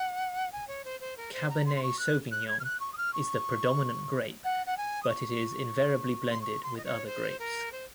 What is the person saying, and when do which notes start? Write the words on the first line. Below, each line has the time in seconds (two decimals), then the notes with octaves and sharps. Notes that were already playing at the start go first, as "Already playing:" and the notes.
Cabernet Sauvignon is the predominant grape, but it is invariably blended with other grapes.
Already playing: F#5
0.52 G#5
0.67 C#5
0.84 C5
1.00 C5
1.17 A#4
1.33 C5
1.49 A#5
1.66 C6
1.76 C6
1.83 C#6
1.99 F#6
2.31 F#6
2.48 G#6
2.60 F6
2.64 F#6
2.80 C#6
2.93 D#6
2.97 F6
3.13 C#6
4.44 F#5
4.66 F#5
4.77 G#5
5.03 D#6
5.09 C#6
6.30 C6
6.41 C#6
6.63 C6
6.77 D#5
6.85 C#5
7.06 C5
7.39 A#4
7.72 C5